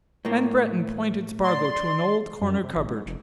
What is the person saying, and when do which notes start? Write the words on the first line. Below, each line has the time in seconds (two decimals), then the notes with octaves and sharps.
And Breton pointed Spargo to an old corner cupboard.
0.25 A2 A#3
1.44 D5 C6
2.41 F#2
2.63 C3
2.75 A1
2.87 G#2
3.06 F1